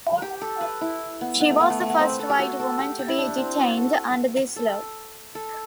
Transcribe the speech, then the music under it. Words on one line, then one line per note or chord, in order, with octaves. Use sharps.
She was the first white woman to be detained under this law.
G4
A4
B4
E4
B3
B3
A3
B3
A3
A3
B3
C4
B4
A4
G4
F#4
A4
G4
G4
E4
D4
C4
F#4
A4
A4
A4